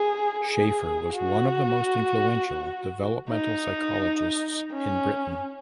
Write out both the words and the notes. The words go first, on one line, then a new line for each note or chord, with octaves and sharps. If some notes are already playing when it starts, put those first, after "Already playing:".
Schaffer was one of the most influential developmental psychologists in Britain.
Already playing: G#4
G#4
F#4
D#4
C#4